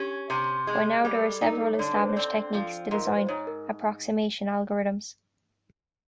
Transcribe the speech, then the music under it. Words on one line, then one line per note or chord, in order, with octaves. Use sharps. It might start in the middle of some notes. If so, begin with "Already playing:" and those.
By now there are several established techniques to design approximation algorithms.
Already playing: C#4 G4
C3
G#3
G3 G#4
A#4
A4
D#4 A#4
A#4
A4
C#5
D3 D5
B4
C5
C#5
C4 D5
F3
G#2 A#4
B4
C5
G#2 C#5
A#4